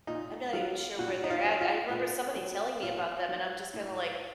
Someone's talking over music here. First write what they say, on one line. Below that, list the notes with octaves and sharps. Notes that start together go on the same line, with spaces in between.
I'm not even sure where they're at, I remember somebody telling me about them, and I'm just kinda like,
A#2 D#4
F#3 F4
A#2 F#4
D#4
F4
F#3
F4
A#2
F#3
A#2 F4
F#3
A2